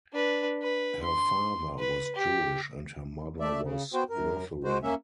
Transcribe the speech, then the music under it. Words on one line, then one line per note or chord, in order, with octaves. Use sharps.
Her father was Jewish and her mother was Lutheran.
D4 B4
B4
C6
B4
G4
A3 D5 E5
C#3
B3 F#4 C5 G5
F#2 A#4
G#3 F#4 C5
A#3 C#4 E5